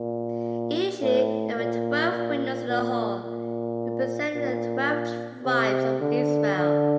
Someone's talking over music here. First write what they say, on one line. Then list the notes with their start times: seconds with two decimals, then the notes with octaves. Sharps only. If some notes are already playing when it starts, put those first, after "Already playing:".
Initially there were twelve windows in the hall, representing the twelve tribes of Israel.
Already playing: A#2
1.01 A2
1.57 A#2
2.12 A#2
2.68 A#2
3.24 A#2
4.34 A#2
5.46 C3
6.01 D3
6.57 D3